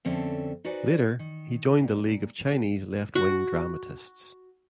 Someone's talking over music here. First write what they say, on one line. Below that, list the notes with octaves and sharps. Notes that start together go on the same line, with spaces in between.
Later, he joined The League of Chinese Left-Wing Dramatists.
F2 D3 C4 C#4 A4 E5
D#4 F#4 B4 C5 D5 G#5
D#3
A#2
F#4